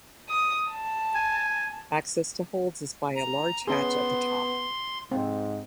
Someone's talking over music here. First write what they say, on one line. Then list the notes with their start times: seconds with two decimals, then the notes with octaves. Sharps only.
Access to holds is by a large hatch at the top.
0.29 D#6
0.71 A5
1.15 G#5
3.15 A#5
3.67 B3 C#4 G#4 C6
5.12 G#2 C4